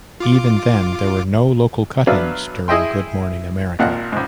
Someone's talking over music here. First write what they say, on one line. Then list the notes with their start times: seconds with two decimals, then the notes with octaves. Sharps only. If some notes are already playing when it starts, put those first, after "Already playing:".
Even then, there were no local cut-ins during Good Morning America.
0.20 F4 D6
2.07 F#3 B3 D4 B4 E5 F5
2.68 E4 G#4 D#5 E5 G5 C6
3.79 G#1 A#2 F5 F#5
4.12 C#2 G#2